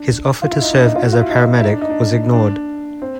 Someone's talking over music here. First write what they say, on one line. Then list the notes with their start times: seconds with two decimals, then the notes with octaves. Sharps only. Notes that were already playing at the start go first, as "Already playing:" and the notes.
His offer to serve as a paramedic was ignored.
Already playing: D4
0.42 F4
0.52 E4
0.62 D#4
0.73 D4
0.84 D#4
0.96 F4
1.05 F#4
1.13 F4
1.21 E4
1.30 D#4
1.60 E4
1.64 D#4
1.73 D4
1.82 D#4
1.90 D4
2.33 D4
3.02 C4